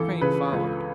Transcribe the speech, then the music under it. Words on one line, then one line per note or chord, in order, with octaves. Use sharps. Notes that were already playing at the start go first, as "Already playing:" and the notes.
Crane followed.
Already playing: C#2 E3 A4
C#3 B4
C#2